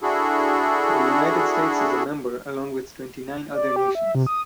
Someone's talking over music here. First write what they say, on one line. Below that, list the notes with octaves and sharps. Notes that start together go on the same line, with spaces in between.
The United States is a member along with twenty-nine other nations.
D4 E4 F#4 G#4 A4
D5
G4
E5
C3
D#6